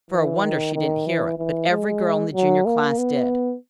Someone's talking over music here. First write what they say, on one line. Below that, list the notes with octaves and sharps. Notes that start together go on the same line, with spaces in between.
For a wonder, she didn't hear it, but every girl in the junior class did.
E3
D#3
D#3
E3
E3
G#3
F#3
A#3
B3